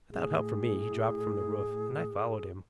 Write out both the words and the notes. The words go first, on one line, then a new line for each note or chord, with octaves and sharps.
Without help from me he dropped from the roof, and I followed him.
A2 G#4